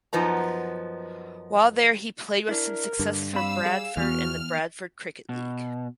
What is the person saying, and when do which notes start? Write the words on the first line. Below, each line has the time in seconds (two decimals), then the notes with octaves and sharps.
While there he played with some success for Bradford in the Bradford Cricket League.
0.13 F#2 F3 B3 D#4 A#5
2.49 D4 E4 A#4
2.99 G2 D3
3.33 G3 C4 F5 B5 E6
3.66 G#4
3.97 E2 E3 B3 F#4 F6
5.29 B2